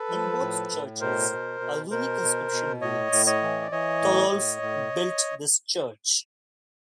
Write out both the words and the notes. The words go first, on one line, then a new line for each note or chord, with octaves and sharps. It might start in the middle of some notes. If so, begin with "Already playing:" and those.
In both churches a runic inscription reads: "Torolf built this church".
Already playing: A4 B4
F3
A2
A2
B2 A#4 C5
B2
B2
B2 A#4 C5
B2
B2
A2 C#5 D#5
A2
C#5 D#5
E3
D5
E3 C#5 D#5
A2
A2
A2